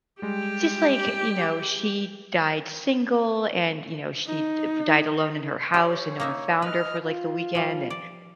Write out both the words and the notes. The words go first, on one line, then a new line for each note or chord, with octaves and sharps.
just like, you know, she died single and, you know, she, uh, b died alone in her house and no one found her for, like, the weekend, and
G3 G#3 G4
D#4
E4 G4 C#5
A#3 D#4 E5
B4 D#5 F6
F4
F3 G3
D5